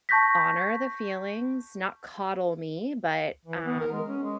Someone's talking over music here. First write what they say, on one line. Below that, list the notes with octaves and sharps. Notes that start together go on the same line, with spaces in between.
honor the feelings, not coddle me. But, um,
A5 C#6 G6 A#6 B6
E3
B3
A#4
G#3
C#4
G#3